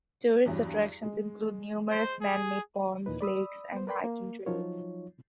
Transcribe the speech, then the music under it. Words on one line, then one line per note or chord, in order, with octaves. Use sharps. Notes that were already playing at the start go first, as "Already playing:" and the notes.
Tourist attractions include numerous man-made ponds, lakes, and hiking trails.
E2 G2 F#3
G#3
C5
G#4
D#2 A#2 E3 D#4 B4
D5 B5 D#6 E6
B3 C5
A#4 B4 D5 G5 B5 C6
A#3
F3 F#3 D#4 F4 C#5